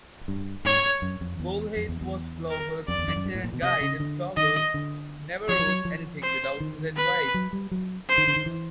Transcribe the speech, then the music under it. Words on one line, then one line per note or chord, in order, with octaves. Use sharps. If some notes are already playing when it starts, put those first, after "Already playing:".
Bouilhet was Flaubert's mentor and guide, and Flaubert never wrote anything without his advice.
G2
G#2 C#5
F#2
F2
E2
F2
E2
E2
A#4
F2 D5
E2
F2
F#2
G2
A2
A#2
B2
C3 D#5
C#3
D3
D#3 D#5
D3
F3 C#5
F3
F#3
F3
C5
D#3
B4
F#3
G3
F#3
C5
D#3
D3
D#3
E3